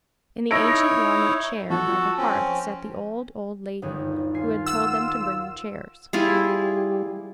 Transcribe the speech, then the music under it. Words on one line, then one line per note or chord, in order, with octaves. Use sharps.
In the ancient walnut chair by the hearth sat the old, old lady who had told them to bring the chairs.
D#4 E4 C#5 E6 A#6 D7
F3 F#4 A4
C4 C#4
G1 D#2 G#4
F4 G#5 C7
F#5 E6
G3 E4 F4 G#4